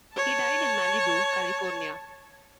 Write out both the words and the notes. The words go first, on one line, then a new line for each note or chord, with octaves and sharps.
He died in Malibu, California.
C#5 A5